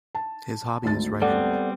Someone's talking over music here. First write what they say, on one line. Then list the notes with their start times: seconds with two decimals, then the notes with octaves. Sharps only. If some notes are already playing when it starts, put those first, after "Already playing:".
His hobby is writing.
0.15 A5
0.84 G#1 D2 A6
1.22 G3 B3 C4 A4 D5 F#5